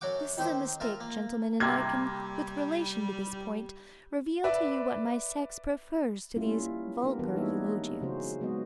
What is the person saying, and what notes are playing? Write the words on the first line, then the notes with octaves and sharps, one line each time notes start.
This is a mistake, gentlemen, and I can with relation to this point, reveal to you what my sex prefers to these vulgar eulogiums.
F#2 F#3 F#4 F#5 D6
D#3 C4 G4 C5
F4 A#4 E5
A#3
C3 G3 A#3 G#6
B4 D5 E5
G3 A#3 C#4 E4 F4
G3 B3 D4 G4 A#4
E3 G3 B3 F#4 A#4
G#3 A#3 D#4 B4 C#5 E5
C#3 F#3 C#4 F#4 C5
F#3 G#3 B3 F#4 D#5